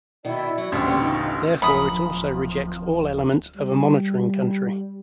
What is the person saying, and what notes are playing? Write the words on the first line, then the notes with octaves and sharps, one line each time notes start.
Therefore, it also rejects all elements of a monitoring country.
B2 D#3 E4 D5
F#3
A1 D2 D3 G3 C4 C6
C#3 B3 G4
D#4 F4
D1 F#2 F3 B5 D#6
G3